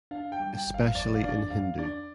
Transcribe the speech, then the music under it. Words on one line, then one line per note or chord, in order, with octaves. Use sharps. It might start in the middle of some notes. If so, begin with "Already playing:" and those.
Especially in Hindu.
D4 F5
G5
G3
G5
G1
F5
F2 D5
F5
D4 D5
F2 F5
D4 D5